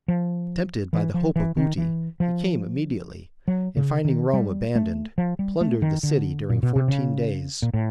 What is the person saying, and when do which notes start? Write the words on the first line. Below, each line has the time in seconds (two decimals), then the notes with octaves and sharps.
Tempted by the hope of booty, he came immediately, and finding Rome abandoned, plundered the city during fourteen days.
0.08 F3
0.93 E3
1.14 F3
1.36 E3
1.57 D#3
1.78 E3
2.20 F3
3.48 F#3
3.77 C#3
4.05 D#3
4.33 G3
4.76 A3
5.18 F3
5.39 G3
5.61 A3
5.82 D#3
6.03 D3
6.50 A#2
6.63 B2
6.76 C3
6.88 C#3
7.62 A#2
7.74 A2